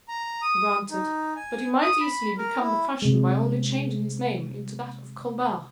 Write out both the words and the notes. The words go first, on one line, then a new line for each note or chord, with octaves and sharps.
"Granted, but he might easily become the fashion by only changing his name into that of Colbert."
A#5
D#6
D#4
G#5
D#6
B5
A#4
E4
C3 G#3